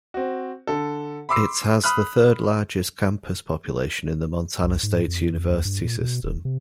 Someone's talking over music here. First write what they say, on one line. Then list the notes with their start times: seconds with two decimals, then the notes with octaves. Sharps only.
It has the third largest campus population in the Montana State University System.
0.14 C4 F#4
0.67 D3 A4
1.29 B5 C6 D6 E6 C7
1.84 B5 D#6 F6 F#6
4.63 C2
4.83 G#2
5.08 F2
5.50 D#2
5.65 G2
5.84 A#2
6.01 B2
6.23 D1
6.45 C3